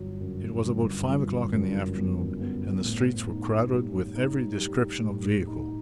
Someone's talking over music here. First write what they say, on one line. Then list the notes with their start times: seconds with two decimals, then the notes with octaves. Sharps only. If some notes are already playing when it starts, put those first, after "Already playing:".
It was about five o'clock in the afternoon and the streets were crowded with every description of vehicle.
Already playing: G1 F#3
0.21 F#2
0.65 G1
1.09 G1
1.52 F#2
1.97 B3
2.41 B3
2.84 A2
3.28 D#4
3.71 G3
4.15 D#4
4.60 G3
5.04 A2
5.47 D#4